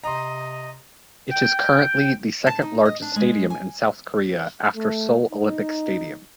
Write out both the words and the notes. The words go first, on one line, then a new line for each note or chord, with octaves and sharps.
It is currently the second largest stadium in South Korea after Seoul Olympic Stadium.
C3 D#5 A#5 C6
G5
A5
D#4
D#5
D4
G#3
G#5
A3
D#4